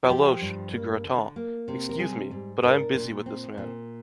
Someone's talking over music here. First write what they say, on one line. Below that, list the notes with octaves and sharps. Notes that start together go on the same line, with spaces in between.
Baloche, to Gratin. — Excuse, me: but I am busy with this man.
F4
F3 G4
G2
A#3
D3
A#3
C3
A#4
G3 G#4
G#2
D4 A#4
A#2
C4
A#2